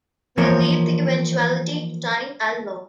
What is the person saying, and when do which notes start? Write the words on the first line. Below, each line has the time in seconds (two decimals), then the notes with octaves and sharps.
We leave the eventuality to time and law.
0.37 E3 F3 A#3 A#4 C#5